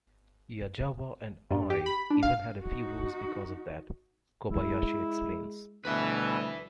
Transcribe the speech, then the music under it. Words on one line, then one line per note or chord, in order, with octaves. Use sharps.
"Yazawa and I even had a few rows because of that," Kobayashi explains.
G2
G4
B5
D4
F5
D#4 F#4
G#3 E4
D2 B2 E3 G3 B4 E5